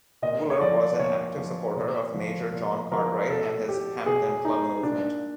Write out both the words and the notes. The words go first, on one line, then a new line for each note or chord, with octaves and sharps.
Wooler was an active supporter of Major John Cartwright and his Hampden Club movement.
A#2 D#5
C#5
F3 D5
A#2 C#5
F3
A#2
F3
A#2
F3 A#4
B2 A4
G4
B2 G#4
D#4
A#2 D4